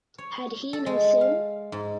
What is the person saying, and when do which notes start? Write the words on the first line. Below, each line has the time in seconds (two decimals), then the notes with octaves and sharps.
Had he no sin?
0.18 C#5
0.73 A4
0.86 G#3
1.21 F5
1.72 G#2